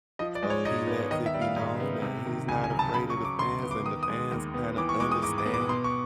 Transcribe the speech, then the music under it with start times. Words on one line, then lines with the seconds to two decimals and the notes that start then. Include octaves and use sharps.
so he lets it be known, and he's not afraid of the fans, and the fans kinda understand,
0.19 F3 D#5
0.35 D5
0.43 G#3
0.50 C#5
0.65 G#2 D#5
0.87 B3
1.11 D#3 D#5
1.26 E5
1.34 G3
1.41 F5
1.56 G#2
1.80 B3
2.02 C3
2.25 D#3
2.48 C#2 G#5
2.64 G#5
2.71 F#3
2.79 A5
2.94 C#3 B5
3.10 C#6
3.17 F#3
3.25 D6
3.39 D2 C6
3.63 B3
3.71 D6
3.86 D#3 D#6
4.03 D#6
4.09 G#3
4.32 D#2
4.54 B3
4.77 E3 D6
4.89 C#6
5.00 G#3 D6
5.12 D#6
5.23 G#2 D6
5.38 D6
5.46 B3
5.54 D6
5.69 B2 C6
5.84 C#6